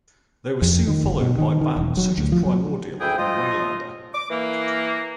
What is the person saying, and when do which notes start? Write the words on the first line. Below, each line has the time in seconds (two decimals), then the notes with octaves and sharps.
They were soon followed by bands such as Primordial and Waylander.
0.62 F2
0.87 D#3
1.04 G1
1.20 B2
1.38 D#3
1.61 D#3
1.76 E1
1.97 F#3
2.18 D2
2.32 F3
2.46 F#3
3.01 D2 E4 G#4 G5
3.18 F3 A3 F4 D#5
4.14 D6
4.31 E3 A#3